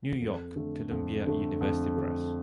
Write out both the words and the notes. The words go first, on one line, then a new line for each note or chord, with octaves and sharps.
New York: Columbia University Press.
F2
D3 A3
F2
D3 A3
F2
D3 A3